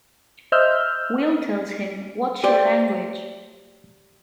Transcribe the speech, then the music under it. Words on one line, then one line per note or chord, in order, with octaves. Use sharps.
Will tells him, Watch your language!
C5 D#5 E5 E6 F6 G6
G4 C5 D5